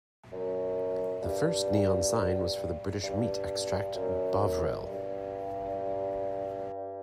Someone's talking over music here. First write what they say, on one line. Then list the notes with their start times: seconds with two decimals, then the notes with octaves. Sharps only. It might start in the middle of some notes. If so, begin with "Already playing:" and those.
The first Neon sign was for the British meat extract Bovril.
0.32 F#2
1.22 G2
3.03 G2
3.94 F#2
4.85 G2